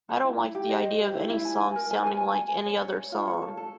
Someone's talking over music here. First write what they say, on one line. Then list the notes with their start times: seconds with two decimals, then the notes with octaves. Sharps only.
I don't like the idea of any song sounding like any other song.
0.09 A4
0.24 E4
0.39 E4
0.55 G4
0.69 D#5
0.85 C5
1.00 G4
1.15 E4
1.30 E4
1.45 G#5
1.60 G#5
1.76 A#4
1.91 G#5
2.06 G#5
2.21 G#5
2.36 G#5
2.51 G#5
2.66 C#5
2.82 C#5
2.96 C#5
3.12 F4
3.27 C#5
3.42 A4
3.57 A4